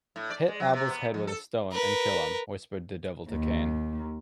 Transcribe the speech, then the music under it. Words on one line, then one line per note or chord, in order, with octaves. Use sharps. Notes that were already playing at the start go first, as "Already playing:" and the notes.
"Hit Abel's head with a stone and kill him", whispered the devil to Cain.
A2
D5
G#3
F#3
C3
B3
F2
A4
A#4 B4
D#2